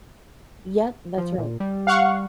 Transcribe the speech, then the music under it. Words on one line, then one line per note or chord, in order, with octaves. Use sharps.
Yep, that's right.
F3
A#2
G3
F5 F#5 C#6